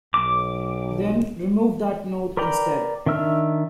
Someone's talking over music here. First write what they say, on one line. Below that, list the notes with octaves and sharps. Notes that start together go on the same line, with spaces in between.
Then remove that node instead.
B1 D6
A#4 B4 D5 G5 A#5
D#3 D4 E5 E6 F6